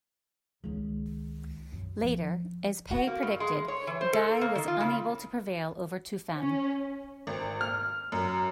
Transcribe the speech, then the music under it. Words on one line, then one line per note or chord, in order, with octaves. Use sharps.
Later, as Pei predicted, Gai was unable to prevail over Tufan.
C#2 D#3
F#2
F3
F#4
A#3
G2
G#3
C#5
E3
C5
A4
A#3
D#3
F4
C#3
C#4
G#1
F6
F#2